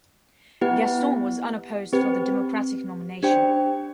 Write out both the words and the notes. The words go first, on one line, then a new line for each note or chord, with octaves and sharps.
Gaston was unopposed for the Democratic nomination.
B3 E4 G4 B4 F#5
C4 G4 B4
D4 G4 C5 G5